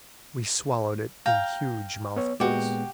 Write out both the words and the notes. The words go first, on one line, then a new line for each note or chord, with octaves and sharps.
We swallowed it in huge mouthfuls.
F5 G5 A#5
B3 C#5
A#2 G#3 B3 F#4 G4